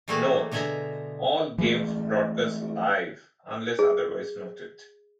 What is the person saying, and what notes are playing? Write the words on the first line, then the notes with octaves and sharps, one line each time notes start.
Note: All games broadcast live unless otherwise noted.
E3 G3 A3 A#3 F#4 G#4
B2 D3 G#3 G#4 E5 A#5
E3 F3 G#3 A3
G#4